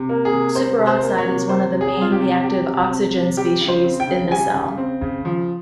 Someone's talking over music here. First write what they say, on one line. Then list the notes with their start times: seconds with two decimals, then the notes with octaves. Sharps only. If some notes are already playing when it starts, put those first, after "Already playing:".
Superoxide is one of the main reactive oxygen species in the cell.
Already playing: C3
0.09 A#3
0.25 G#4
0.32 C3
0.55 G3 C5
0.79 C3
0.87 C5
1.02 A#3
1.18 C#5
1.27 C3
1.49 G3 C5
1.74 C3
1.81 G#4
1.97 C4 F4
2.12 G4
2.20 C3
2.43 G3 G4
2.68 C3
2.90 C4
3.14 C3
3.37 G3 G4
3.61 C#3
3.68 C5
3.84 C4
4.00 G5
4.07 C#3
4.32 G3 G#5
4.54 C#3
4.78 C4
5.01 C#3
5.25 F3